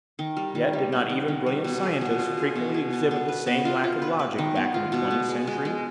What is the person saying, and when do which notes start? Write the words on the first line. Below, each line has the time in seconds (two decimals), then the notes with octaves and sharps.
Yet, did not even brilliant scientists frequently exhibit the same lack of logic back in the Twentieth Century?
0.19 D#3
0.37 G3
0.55 D#3
0.73 G3
0.92 B3
1.10 D#3
1.28 D#3
1.46 G3
1.64 B2
1.83 G#4
2.01 B2
2.19 F4
2.38 G#4
2.55 B2
2.74 G#4
2.92 B3
3.11 B3
3.28 B4
3.47 B3
3.65 F4
3.84 F4
4.02 B4
4.19 B4
4.38 D#3
4.56 B3
4.74 F4
4.92 B2
5.11 B3
5.29 G#3
5.47 G#3
5.65 G#3